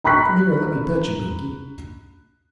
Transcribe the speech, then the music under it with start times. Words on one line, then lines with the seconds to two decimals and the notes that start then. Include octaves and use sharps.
Come here and let me pet you, Binkie.'
0.04 A#5 B5 C#6 F#6 B6